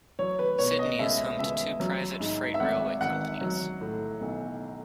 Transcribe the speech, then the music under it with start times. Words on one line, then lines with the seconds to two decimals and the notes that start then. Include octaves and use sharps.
Sydney is home to two private freight railway companies.
0.19 F#3 C#5
0.39 B4
0.59 B2 C#5
0.79 D#5
0.99 C#2 E5
1.39 C#2 E5
1.80 F#3
2.20 G#2
2.54 E5
2.60 G#1 F#5
3.01 G#1 F#5
3.41 F#3
3.81 A2
4.21 B1